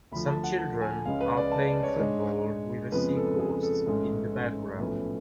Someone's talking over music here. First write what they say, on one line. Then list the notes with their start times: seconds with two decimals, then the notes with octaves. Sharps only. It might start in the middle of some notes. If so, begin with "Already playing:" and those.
Some children are playing football with a seacoast in the background.
0.12 D2 D3 F3 B5
0.28 A5
0.44 F#5
0.59 A5
0.81 G#5
1.05 C#2 C#3 G#3 C#4 F5
1.21 B4
1.37 D5
1.52 A5
1.68 D5
1.83 C#5
1.99 G#2 G#3 D4
2.92 F2 C#3 F3 G#3 B3 B4
3.17 A4
3.40 G#4
3.63 A4
3.86 A1 G#2 G#3 C#4
4.79 B1 A2 F3 A3 C#4 B4